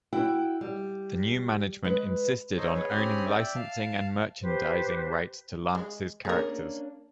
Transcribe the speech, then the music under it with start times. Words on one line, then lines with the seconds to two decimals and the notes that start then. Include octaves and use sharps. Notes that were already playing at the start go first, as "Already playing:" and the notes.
The new management insisted on owning licensing and merchandising rights to Lantz's characters.
0.13 E4 F#4 G5
0.61 G3
1.84 G#3 B4
2.57 D#4 A4 C5 C#5 D#5
2.73 G#4 B4 C#5
2.89 C4 C#4 G4 B5 D#6 F6
3.26 D5 E5 G5
3.55 F5 A5 F6
4.41 G4 B4 C5
5.75 G#3
6.25 A#3 C#4 D4 G#4 A#4